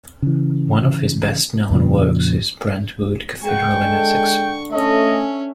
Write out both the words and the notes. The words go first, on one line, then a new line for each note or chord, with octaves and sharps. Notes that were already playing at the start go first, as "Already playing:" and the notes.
One of his best known works is Brentwood Cathedral in Essex.
C#3 E3
F2 A#2 C#3 F3
G#3 F#5 G5 B5 C#6
D3
A3 C#4 A4 C#5 D#5
E5 G#5